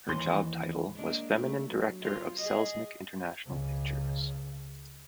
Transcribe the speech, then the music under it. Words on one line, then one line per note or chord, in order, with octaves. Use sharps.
Her job title was Feminine Director of Selznick International Pictures.
D#2 E3 C6
G#3 A#3 D4
A3
F#3
F4
G#4 D#5
C#2 C#3